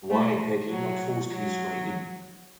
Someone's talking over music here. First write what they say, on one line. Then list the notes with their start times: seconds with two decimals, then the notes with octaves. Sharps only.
Why had he not forced his way in?
0.10 A3
0.70 F#3
1.31 F#3